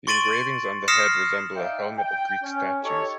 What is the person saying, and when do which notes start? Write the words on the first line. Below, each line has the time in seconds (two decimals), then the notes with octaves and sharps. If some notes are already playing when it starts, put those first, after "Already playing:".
The engravings on the head resemble a helmet of Greek statues.
0.07 C6 C#6 A6 D7 D#7 F#7
0.88 D#6 F6 A#6 C7 C#7 E7
1.56 D#4 D5 E5 F5 G5
1.98 G5
2.43 C#4
2.84 D#4 G4 A4 C#5